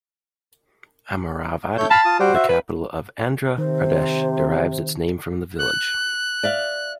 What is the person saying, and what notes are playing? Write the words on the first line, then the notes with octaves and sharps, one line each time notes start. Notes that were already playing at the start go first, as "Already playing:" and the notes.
Amaravati, the capital of Andhra Pradesh derives its name from the village.
A3 C#5 G6
F5 A5 B5
F4 D#6
G3 F#4 C5
E5
B4
C3 D#3 C5
F#6
D5 E5 F5